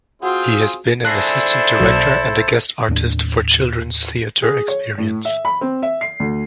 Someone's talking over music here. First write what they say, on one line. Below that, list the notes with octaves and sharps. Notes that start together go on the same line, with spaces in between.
He has been an Assistant Director and a Guest Artist for Children's Theatre Experience.
C4 F4 F#4 G#4 F#5
D4 E4 G#4 A4 C5 F#6 A#6 C7
B1 B2
D#2 A2 A#3 D4
G#4
C#5
A2
E5
B5
C4
E5
C7
D2